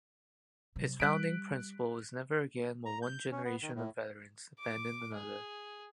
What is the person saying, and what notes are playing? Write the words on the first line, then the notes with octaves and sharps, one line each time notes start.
Its founding principle is Never again will one generation of veterans abandon another.
C3 F#3
G3 F#6 B6 D7
A#5
G6
C#4
B3
D#3
A2
D6
G#4